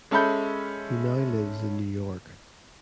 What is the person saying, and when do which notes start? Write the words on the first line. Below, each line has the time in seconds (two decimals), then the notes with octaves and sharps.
He now lives in New York.
0.11 G#3 C#4 A4 E5 B5 G6